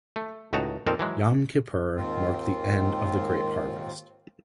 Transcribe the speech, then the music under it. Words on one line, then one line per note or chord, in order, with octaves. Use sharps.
Yom Kippur marked the end of the grape harvest.
A3
C#2 A2 D#4 F#4 A5 A#5
F2 A#2 C4 D#4 A#4 A5
E3 F#3 G#3
D#2 G#2 D#3 C4 F4